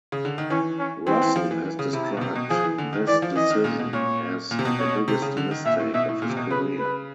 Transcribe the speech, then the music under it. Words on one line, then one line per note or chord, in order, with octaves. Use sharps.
Russell has described this decision as the biggest mistake of his career.
C#3
D3
D#3
E3 C#4
C#4
E3 C4
E3
F3
E3
E3
C#3
C3 E4
B2
C3
B2
F3 G#4
E3
D3
D#3
E3 D5
F3
E3 D#5
D#3
A#2
B2
A#2 C#5
A#2
C3
B2
C#5
C3
C#3
D3
D#3
A#2 E5
A2
B2 E5
A2
A#2
C3
B2
C#3 B4
B4